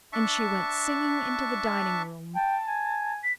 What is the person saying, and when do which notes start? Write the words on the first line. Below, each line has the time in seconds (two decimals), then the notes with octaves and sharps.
And she went singing into the dining-room.
0.13 D4 E5 A5 C#6
2.35 G5 A5
2.67 G#5
3.24 B6